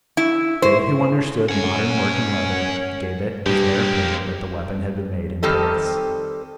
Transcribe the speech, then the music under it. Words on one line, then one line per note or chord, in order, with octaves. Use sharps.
They who understood modern work in leather gave it as their opinion that the weapon had been made in Paris.
E4
C5
C#4 F#5 G#5
G2 G#3 A#3 G4
D#3 G3 C4 G4 A4 D#5